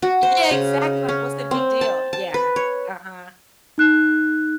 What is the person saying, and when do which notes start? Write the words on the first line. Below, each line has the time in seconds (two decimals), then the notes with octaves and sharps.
Yeah, exactly. Like, "What's the big deal?" Yeah. Uh-huh.
0.02 F#4
0.23 C5
0.51 C#3
1.09 C#4
1.51 C4
1.81 A5
2.13 A5
2.34 B4
2.56 C#5
3.78 D#4 F#6